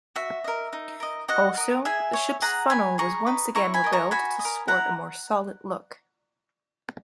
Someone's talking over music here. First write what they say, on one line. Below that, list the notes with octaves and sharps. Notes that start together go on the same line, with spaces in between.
Also, the ship's funnel was once again rebuilt to sport a more solid look.
F#4 E5
A#4 D#5
D#4
A#4 D#5
F#4 D#5 F#5
A#4 D#5
G#4 E5 G#5
C#5
G#4 F#5 A#5
C#5 G#5 B5
G#4 A#5 C#6
B4 D#5
E4 A#5 C#6
G#5 B5
A#4 D#5
A#5 C#6
F#4 G#5 B5
D#5
A#4
E4 F#5 A#5